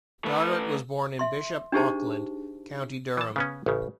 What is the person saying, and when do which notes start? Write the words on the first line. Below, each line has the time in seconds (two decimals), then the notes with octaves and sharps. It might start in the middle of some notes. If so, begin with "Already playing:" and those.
Doggart was born in Bishop Auckland, County Durham.
0.25 A3 B4
1.19 E5 C6
1.72 D4 D#4 G4 G#4 C5 A5
3.17 E3 A5
3.36 C#3 B3 C#4
3.66 A1 C#3